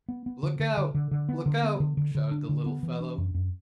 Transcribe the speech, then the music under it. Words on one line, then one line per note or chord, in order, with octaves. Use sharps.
"Look out! look out!" shouted the little fellow.
B3
B3
D3
D3
D3
D3
D3
B3
D3
B3
D3
D3
D3
D4
D3
B3
E3
D4
F#2
F#2